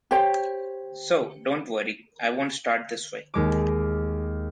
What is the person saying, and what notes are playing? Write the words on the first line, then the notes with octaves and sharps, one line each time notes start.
So, don’t worry, I won’t start this way.
G4 C5 C#5 G5
D#2 G#3 D6